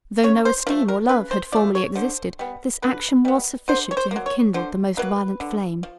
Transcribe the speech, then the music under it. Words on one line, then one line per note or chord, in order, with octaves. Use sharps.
Though no esteem or love had formerly existed, this action was sufficient to have kindled the most violent flame.
C#3 C#5
C5
F3 A3 A#4
A#4
C#3 B4
C5
F3 A3 D5
C#5
D3 C5
G3 B3
D3 B4
G3 B3
D3 C5
C#5
C5
F#3 A#3
C#5
D3 C5
F#3 A#3 B4
D3
F3